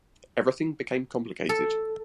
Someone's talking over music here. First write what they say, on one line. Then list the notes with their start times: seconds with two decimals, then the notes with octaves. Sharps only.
Everything became complicated.
1.49 A4